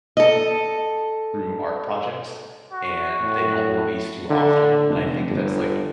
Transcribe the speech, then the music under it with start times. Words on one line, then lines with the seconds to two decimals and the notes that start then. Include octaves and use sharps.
through art projects, and they don't release too often, and I think that's, like,
0.17 A4 D#5
2.72 F#4
3.21 A2
4.30 D3
4.88 F1
5.30 G1